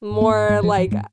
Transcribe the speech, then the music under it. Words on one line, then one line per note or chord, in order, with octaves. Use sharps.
more like a
G#2
A#3
G#2
G#2 G#3
F3
G#2
F3
G#2 G#3